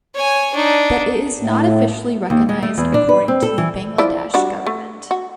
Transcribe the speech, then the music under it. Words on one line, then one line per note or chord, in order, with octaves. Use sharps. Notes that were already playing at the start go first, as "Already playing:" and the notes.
But it is not officially recognized according to the Bangladesh government.
C#5 G#5
D4 D#4
A2
D#2
G#3
A3
E2
D4
B4
C4
A4
E3
F3 E4 D5
G3 D4 F#4
A3
F#4